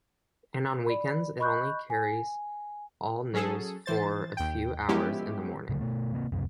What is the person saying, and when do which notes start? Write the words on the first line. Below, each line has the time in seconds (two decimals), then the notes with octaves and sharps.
And on weekends it only carries all-news for a few hours in the morning.
0.87 D5 B5
1.39 D#5 B5 C#6 F#6 G6
1.90 G#5
3.33 F#3 C#4 G#4 A4
3.86 E3 C5 A6
4.37 D#2 G5
4.88 F3 G#3 B3 C#4 E4 G4
5.69 D1 C#3 F#3 A3
5.81 B2 A3
6.14 C3 A#3 C4
6.32 C#2 F#2 C3